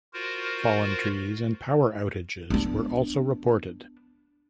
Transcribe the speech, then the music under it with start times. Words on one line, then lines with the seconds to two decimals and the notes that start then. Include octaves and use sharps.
Fallen trees and power outages were also reported.
0.14 F4 F#4 A#4 C5
2.50 B3 D4